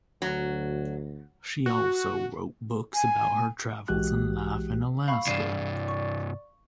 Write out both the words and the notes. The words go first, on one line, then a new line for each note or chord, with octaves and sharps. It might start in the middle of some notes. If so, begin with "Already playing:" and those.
She also wrote books about her travels and life in Alaska.
D2 F#3
F#4
G#5
B1 E3 G#3 F#4 G4 F#6
F5 B5 C#6
C2 G2 D5 C7 D#7 E7
C#6